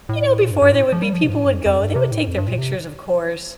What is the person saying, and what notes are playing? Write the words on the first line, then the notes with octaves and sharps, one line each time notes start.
you know, before there would be people would go, they would take their pictures, of course,
A2
A#2
G2
G2
A2
F3
G3
F3
C3
G2
A2
G2
F2
F2
G2
C3
A2
F2
G2
A#2
C3